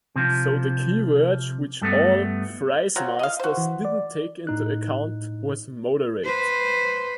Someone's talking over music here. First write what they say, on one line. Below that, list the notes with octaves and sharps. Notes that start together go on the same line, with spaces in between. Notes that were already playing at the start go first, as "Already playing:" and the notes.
So, the keyword which all fries-masters didn’t take into account was - moderate.
C3 F3
G2 A3 B3
F#3 C4 F4
D#5 F5
F#4 C5
E3
D5
A2 D#4 F#6
B4 C5